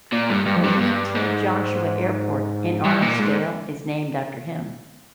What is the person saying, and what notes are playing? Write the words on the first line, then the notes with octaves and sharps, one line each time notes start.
The E. T. Joshua Airport in Arnos Vale is named after him.
A#2
G2
G2
F2
G2
G2
G#2
G2
A#2
G#2